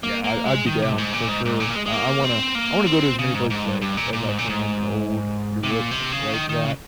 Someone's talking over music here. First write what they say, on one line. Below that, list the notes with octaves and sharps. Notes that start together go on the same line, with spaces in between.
Yeah, I I'd be down for sure. I I wanna I wanna go to as many places like, as I can in old Europe like that,
A#3
A#3
G#3
D#3
C3
G2
G#2
A#2
G#2
G#2
A#2
A#3
G#3
G#3
A#3
C4
A#3
C4
C#3
G#2
G#2
G2
G2
A#2
A#2
G#2
A#2
G#2
C3
A#2
C3
C#3
D#3
D#3
C#3